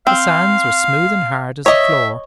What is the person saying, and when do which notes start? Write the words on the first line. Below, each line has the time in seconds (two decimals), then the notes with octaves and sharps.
The sands were smooth and hard as a floor.
0.07 C4 F5
1.66 C#5 D#5 E5